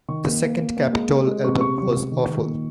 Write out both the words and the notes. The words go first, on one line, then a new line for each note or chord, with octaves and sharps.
The second Capitol album was awful....
D#3 C#6
A#3
A#3
A#3
A#3
G#3
G#3
G#3
C3 C#6
C3 C#6
C3 C#6
G#3
D#3
D#3
A#2